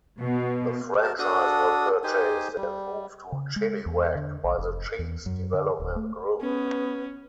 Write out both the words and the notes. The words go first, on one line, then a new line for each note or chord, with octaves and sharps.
The franchise was purchased and moved to Chilliwack by the Chiefs Development group.
B2
F#4 A#4 A5
D4 F#4 A4 D#6
D#4 G4 C5 G#5
G3
C#3
G#3
E2
D3
A#1
F1
E2
F#2
D3
D1
A3
B3 C#4